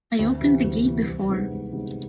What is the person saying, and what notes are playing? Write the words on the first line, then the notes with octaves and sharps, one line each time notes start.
I opened the gate before.
D2
C3 E3
D2
C3 E3
C2
C3 D#3 G#3 B3
C2
C3 D#3 G#3 B3